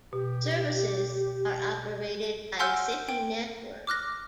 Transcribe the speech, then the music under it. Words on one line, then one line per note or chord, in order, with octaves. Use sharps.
Services are operated by City network.
B2 G4
F#5 G#5 C6 E6 F6 G6
G5
D6 F6 F#6 A#6